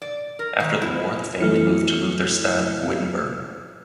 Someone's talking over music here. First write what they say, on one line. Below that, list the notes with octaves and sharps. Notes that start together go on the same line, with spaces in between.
After the war the family moved to Lutherstadt Wittenberg.
D5
A#4
D#3
E4
E3 A3 E4 F6 C#7